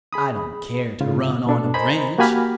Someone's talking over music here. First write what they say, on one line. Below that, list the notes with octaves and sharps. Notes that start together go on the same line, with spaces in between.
I don't care to run on a branch.
G#4 B5 D#6
G#2 C#3 F4
B2 D4 A4
A#4 C5 D#5 G#5 A#5 B5
A#3 F#4 G4 G#5 B5 F6